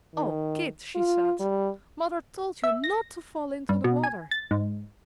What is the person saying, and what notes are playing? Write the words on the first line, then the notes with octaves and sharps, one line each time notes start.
"O Kit," she said, "Mother told you not to fall into the water!"
D#3
F4
G3
E5
A#6
G2
B2
G#5
A6
G#2